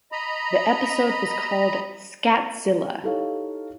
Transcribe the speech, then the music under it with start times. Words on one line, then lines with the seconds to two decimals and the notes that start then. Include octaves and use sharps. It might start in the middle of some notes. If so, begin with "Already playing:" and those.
The episode was called "ScatZilla!".
0.12 D#5 A#5 B5
3.03 D#4 E4 G4 A4 C#5 F5